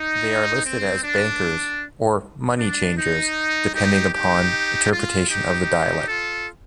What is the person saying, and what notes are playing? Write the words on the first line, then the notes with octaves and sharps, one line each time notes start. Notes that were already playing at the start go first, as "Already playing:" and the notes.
They are listed as 'bankers' or 'money-changers' depending upon interpretation of the dialect.
Already playing: D#4
C4
D4
D4
D#4
D#4 G4
D#4 G4
F4
D#4 G4
F4 A4